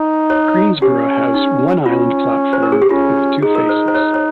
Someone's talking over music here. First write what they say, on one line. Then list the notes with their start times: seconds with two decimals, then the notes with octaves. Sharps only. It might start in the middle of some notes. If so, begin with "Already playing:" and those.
Greensborough has one island platform with two faces.
Already playing: D#4
0.30 C#5
0.82 C#4 G4
1.34 D#4
1.86 C#4 F4
2.53 C5
2.63 A#4
2.72 G#4
2.82 G4
2.90 C#4 F4
3.42 D#4 G#4
3.55 A#4
3.69 C5
3.88 C5
3.94 C#5
4.14 C#5